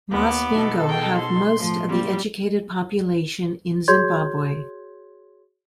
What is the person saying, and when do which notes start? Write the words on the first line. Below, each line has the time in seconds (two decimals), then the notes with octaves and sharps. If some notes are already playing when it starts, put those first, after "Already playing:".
Masvingo have most of the educated population in Zimbabwe.
0.11 D#2 A#3 B3 D6
0.52 B2 D#4 A4
0.86 G#4 G5
1.19 C6
1.55 A2 F3
1.89 G3 A#3 C4
3.88 F#4 G#4 C#5 C6 G6 G#6